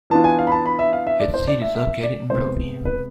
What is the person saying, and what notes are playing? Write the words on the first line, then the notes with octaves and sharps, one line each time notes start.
Its seat is located in Broby.
E3 B3 D4 F4 A5
G#5
F5
B5
A5
B5
E5
F5
E5
D5
C5
D5
E5
E5
D5
C3 G#3 B3 C5
B4